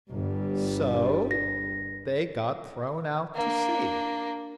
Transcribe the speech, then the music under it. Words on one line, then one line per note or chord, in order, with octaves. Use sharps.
So they got thrown out to sea.
G1 G2 G3
A#6
A#3 D4